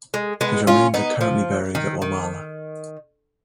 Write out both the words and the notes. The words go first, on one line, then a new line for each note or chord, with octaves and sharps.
His remains are currently buried at Wamala.
G#3
G#3 B3
C#4 F4
B3 D#4
F3
D#3
D#3